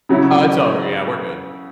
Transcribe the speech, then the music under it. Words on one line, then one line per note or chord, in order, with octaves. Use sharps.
Oh, it's over, yeah, we're good.
C#3 F#3 C#4 E4